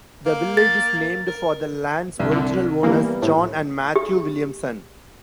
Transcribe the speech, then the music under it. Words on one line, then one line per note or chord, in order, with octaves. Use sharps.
The village is named for the land's original owners, John and Matthew Williamson.
A#3
A6
A#4
C2
D3
E3 G3 A#3 B3
A2
G4